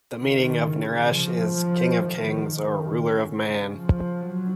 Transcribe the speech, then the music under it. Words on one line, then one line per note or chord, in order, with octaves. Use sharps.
The meaning of Naresh is "King of Kings" or "Ruler of Man".
D#3
C#3
F3
F3
D#3
D#3
C#3
F3
F#3